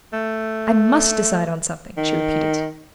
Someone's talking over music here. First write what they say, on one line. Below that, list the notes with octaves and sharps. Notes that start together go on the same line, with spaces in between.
"I MUST decide on something," she repeated.
A3
D#3